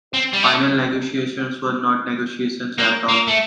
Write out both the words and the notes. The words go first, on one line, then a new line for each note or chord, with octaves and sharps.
Final negotiations were not negotiations at all.
C4
G3
A3
A#3
A#3
A3